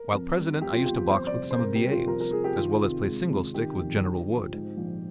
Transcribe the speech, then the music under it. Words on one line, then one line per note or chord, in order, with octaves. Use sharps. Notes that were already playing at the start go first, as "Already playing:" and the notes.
While President I used to box with some of the aides, as well as play single-stick with General Wood.
Already playing: A#4
F2
G3
F2 G4
F4
G1 G4
G4
F2 C5
D5
C3
C5
C3 A#4
G4
G3
F4
F3 A#4
A#4
F3 G#4
G4
D#3 F4
C3
G#3
G#1
D#3 G4
F1
D3
F3
G#2
A#1